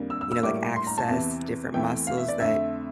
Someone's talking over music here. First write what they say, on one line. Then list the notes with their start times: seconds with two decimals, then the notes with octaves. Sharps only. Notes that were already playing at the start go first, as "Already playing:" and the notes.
you know, like, access different muscles that
Already playing: F2 D3 G3 A#3
0.10 E6
0.21 E6
0.32 E6
0.43 A2 G3 A#3 D6
0.76 C6
0.87 A#5
0.98 A5
1.08 E2 C3 E3
1.74 E2 E3 A3 C4 G5
2.07 F5
2.17 E5
2.28 D5
2.40 F2 D3 A3 C4 E5